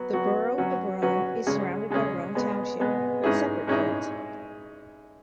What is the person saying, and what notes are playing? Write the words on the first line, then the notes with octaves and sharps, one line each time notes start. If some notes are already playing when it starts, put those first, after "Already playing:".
The borough of Rome is surrounded by Rome Township but separate from it.
Already playing: F#3 B3 F#4
F#3 B3 F#4
F#3 C#4 F#4 B4
F#3 C#4 F#4 B4
C#3 G#3 C#4 G#4
C#3 G#3 C#4 G#4
B2 G#3 B3
B2 G#3 B3
G#2 G#3 C#4 E4 G#4
G#2 G#3 C#4 E4 G#4